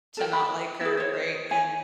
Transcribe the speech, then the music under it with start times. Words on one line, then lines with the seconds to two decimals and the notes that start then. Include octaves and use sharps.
to not like her, right, and
0.17 A4 A#4 G5
0.33 B5
0.81 E4 F#4 G#4
0.97 C5 C#5
1.14 C5
1.50 C#5 G#5